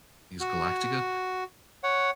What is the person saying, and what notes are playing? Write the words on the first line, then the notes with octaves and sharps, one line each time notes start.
Is Galactica,
F#4
C#5 F#5